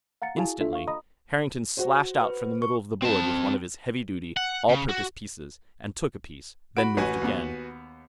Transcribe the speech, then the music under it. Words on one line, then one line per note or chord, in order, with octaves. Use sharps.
Instantly, Harrington slashed out from the middle of the board with one of his heavy-duty, all-purpose pieces and took a piece, then moved again.
F5 F#5 A#5 A6 C#7
E4 F#4 G#4 F5 G#5 A5
D4 F4 A4 E5
F5 C#6
D#5 A#5 B5 D#6
F#4 C5
B4
C#6
C4 A5
F#5
C#3
F#4
F#4 B5 D7
A1 F#4 B4 G#5
D#2 B3